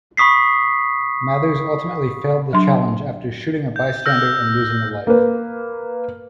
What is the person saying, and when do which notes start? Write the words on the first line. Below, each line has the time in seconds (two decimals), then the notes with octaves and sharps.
Mathers ultimately failed the challenge after shooting a bystander and losing a life.
0.17 B5 C#6 D#6 B6 C7
2.53 F#3 D4 C6
3.76 G6
4.06 E6 F6 G6 A#6
5.07 A#3 B4